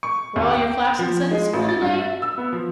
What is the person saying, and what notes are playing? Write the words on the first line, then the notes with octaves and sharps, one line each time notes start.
"Were all your class in Sunday School today?"
C#6
D#2
G5
F3
G#3
A1
A6
G2
E5
E6
B3
F3